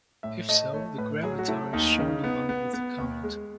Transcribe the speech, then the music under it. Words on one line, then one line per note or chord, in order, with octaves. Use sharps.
If so, the Gravatar is shown along with the comment.
A2 E5
A3 D#5
A3 C#5
A2 B4
F#3 G#4
F#4
A3 E4
D#2 D#4
C#3
B3
B3
B3
D#2
G#3